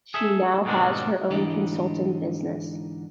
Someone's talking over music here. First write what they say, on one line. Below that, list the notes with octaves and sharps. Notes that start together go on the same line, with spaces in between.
She now has her own consulting business.
G#4 A4 E5
F2 G#2 B2 D#3 G#3 D4
G#2 D3 E3 D4 D#4 G4